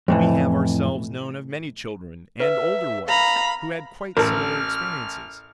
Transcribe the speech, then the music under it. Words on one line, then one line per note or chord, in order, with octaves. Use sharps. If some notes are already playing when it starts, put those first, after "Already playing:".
We have ourselves known of many children and older ones who had quite similar experiences.
F2 A2 E3
B4 E5
F5 A#5 B5
A1 A#4 A5 F6